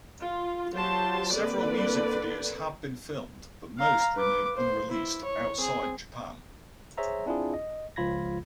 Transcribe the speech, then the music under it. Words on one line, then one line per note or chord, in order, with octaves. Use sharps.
Several music videos have been filmed, but most remain unreleased outside Japan.
F4
F#3 F4 G4 C5 A5 C6
D3 A#3 C4 A4 B4 D5
F5 A#5
B4 D6
C5
E4
C#5
C4 G#4
G#4 C5 C#5 E5 A#5
C4 D4 E4 F4 G#4
D#5
C#2 F3 F4 B5 G#6 A#6